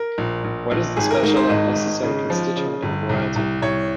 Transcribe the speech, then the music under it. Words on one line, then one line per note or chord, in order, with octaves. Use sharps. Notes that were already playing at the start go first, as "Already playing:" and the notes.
What is the special and necessary constituent of royalty?
Already playing: A#4
A#1
A#1
A#1
G#1 G#4
A#4
G#2 A#4
C5
G#1 D#5
G#1
C#3
F3
C#3
G1
C2
C2
C2 C#5